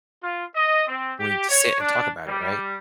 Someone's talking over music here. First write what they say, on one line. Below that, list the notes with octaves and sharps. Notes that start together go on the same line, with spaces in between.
we need to sit and talk about it. Right?
F4
D#5
C4
G4
C#5
D4
G3